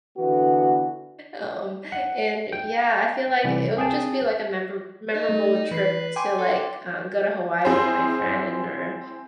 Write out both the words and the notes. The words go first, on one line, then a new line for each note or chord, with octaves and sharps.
Um, and, yeah, I feel like it would just be like a member memorable trip to, like, uh, go to Hawaii with my friend or
D3 E3 B3 F#4
F#5
G5
C3 E3 G3
C4 G#4 G5 A5
D#4
A3
E3 B4 C7
G5 G#5 C6 D6
A4
C4 E4 G#4 C5